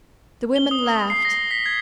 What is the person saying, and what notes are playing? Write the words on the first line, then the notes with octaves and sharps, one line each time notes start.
The women laughed.
G7
D#6
D#6
D#6
C7
A#6
B6
G#6